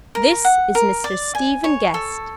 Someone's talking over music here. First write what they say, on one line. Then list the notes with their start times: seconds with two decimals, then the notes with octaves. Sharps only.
"This is Mr. Stephen Guest."
0.15 A#4
0.45 F#5
0.75 A#4
1.04 D5
1.35 G#5
1.64 C#5
1.94 A4